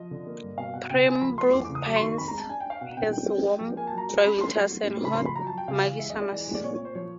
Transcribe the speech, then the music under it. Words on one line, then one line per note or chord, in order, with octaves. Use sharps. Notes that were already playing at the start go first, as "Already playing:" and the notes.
Pembroke Pines has warm, dry winters and hot, muggy summers.
Already playing: F3 D#5
D3
A#3
G2
B2 F5
B2 F#5
C#3 G5
C#3 G#5
F3 B5
A3 C6
E2 D6
C#3 D6
D#6
F#3 D6
C6
D#3 C#6
C4 B5
A#5
G#3 A5
D4 G#5
G5
D4 F5
B2 F#5
B2 G5
G3 G5
C4
G#3
F3
A#3 G#5
F#3 A5
A#5
G#3 A#5
C#4 B5
A3 C6
F#3
F#3
A2
C#3 B5
F3 C6
B5
F#3 A#5
A5
F#3
G5
C#3 F5
E3
G#3 E5
D#5
G#3
D5
E3
G#3
D5
A#2 C#5
C#5
A#2 C5
F3 C#5